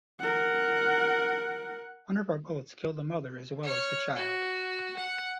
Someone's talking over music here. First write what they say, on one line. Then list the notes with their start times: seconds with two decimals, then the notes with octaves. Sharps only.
One of our bullets killed the mother as well as the child.
0.20 A#4 F#5
3.63 C#5 F6
4.16 F#4
4.97 F#5